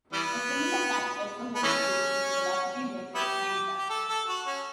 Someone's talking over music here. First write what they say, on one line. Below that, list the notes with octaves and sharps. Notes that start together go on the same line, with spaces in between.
A similar fact also holds true for the velocity versus time graph.
E3 G3 B3
B3
E3 A3 C#4
B3 E4 G4
G4
A4
A4
F#4
C#4